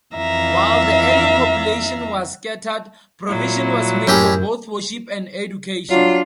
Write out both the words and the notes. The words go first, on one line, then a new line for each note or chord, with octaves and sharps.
While the early population was scattered, provision was made for both worship and education.
F2 E3 E5 F5 A#5
A#2 F#3 E4
F#2 A2 G4 G#4 A#4 G6
F#3 D4 F4